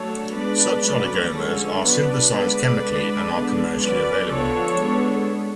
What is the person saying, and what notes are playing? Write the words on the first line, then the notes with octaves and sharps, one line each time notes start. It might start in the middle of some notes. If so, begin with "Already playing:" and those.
Such oligomers are synthesized chemically and are commercially available.
Already playing: F#3 A3 D4 A4 C#5
G#3 B3 D4 B4 D5
F#3 A3 C#4 B4 D5
D3 F3 G#3 C#4 A4 C#5
F#3 B3 D4 B4 D5
D3 G#3 B3 B4 D5
D3 G#3 D4
D3 G#3 B3 D4
F#3 C#4 B4 D5
D3 F3 B3 D4 A4 C#5
G#3 B3 D4